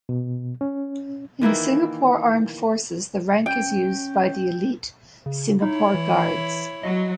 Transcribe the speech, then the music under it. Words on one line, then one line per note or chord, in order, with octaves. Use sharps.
In the Singapore Armed Forces, the rank is used by the elite Singapore Guards.
B2
C#4
D#3 E3 A#3 E4
C#4 G5
C#3
D#4 E4 C#5
E3
F#3 D#5